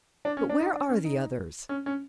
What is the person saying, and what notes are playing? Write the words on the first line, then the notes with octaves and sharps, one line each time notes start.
But where are the others?
D4
C#4
D4
D#4
D4
C#4
D#4
C#4
C#4